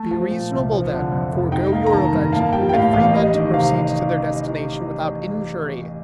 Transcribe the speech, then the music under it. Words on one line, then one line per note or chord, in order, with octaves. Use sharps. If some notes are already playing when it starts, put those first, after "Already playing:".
Be reasonable, then; forego your revenge and permit free men to proceed to their destination without injury.
Already playing: A3 A5
F3
A#2
C2
F3
D3
F2
F1
D#4 G5
A#3
A#5
D#3 A5
G2
A#3 A5
G3 G5
G5
A2 F5
A1 F5
G3 D#5
D#3
C3 F5